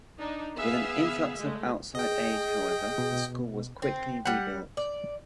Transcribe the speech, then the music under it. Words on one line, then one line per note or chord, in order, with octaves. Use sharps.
With an influx of outside aid, however, the school was quickly rebuilt.
D4 D#4
B3 G#4 E5 F5
G#3 A3
G#4 D#5 G5
B2
C4
G3 F#5
D5